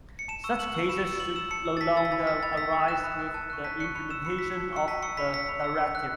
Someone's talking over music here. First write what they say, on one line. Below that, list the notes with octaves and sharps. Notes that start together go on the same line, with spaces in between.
Such cases should no longer arise with the implementation of the directive.
C#7
A5 E7
C#6 E6 E7
A5 F#7
C#6 E6
B5 E7
E6
B5 F#7
E6 E7
A5 C#7
E6
A6
A5 B6
E6 A6
B6
B5 A6
E6 B6
B5 A6
A6
E6 B6
B5 C#7
F#6 E7
B5
F#6
A5
C#6 F#6
A5 B6
C#6 F#6 C#7
B5 C#7
E6 E7
B5 C#7
E6 B6
A5 C#7
C#6 E6 C#7
A5 B6
C#6 E6 C#7
B5 B6
E6 B6
B5
E6
B5
F#6